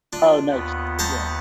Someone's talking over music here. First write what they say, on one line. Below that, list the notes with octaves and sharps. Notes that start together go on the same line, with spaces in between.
Oh nice, yeah.
D4 F4
D#2 B3 F#5
C5 A5 A#5